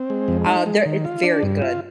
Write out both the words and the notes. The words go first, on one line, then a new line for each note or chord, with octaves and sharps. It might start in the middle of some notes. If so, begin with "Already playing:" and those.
Uh, they're it's very good.
Already playing: C4
G#3
F2
D#4
G#3
D#3
F4
D4
G2
F4